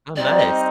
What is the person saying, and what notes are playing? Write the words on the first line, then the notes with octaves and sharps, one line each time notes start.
Oh, nice.
G3 C4 D#4 D5
D#5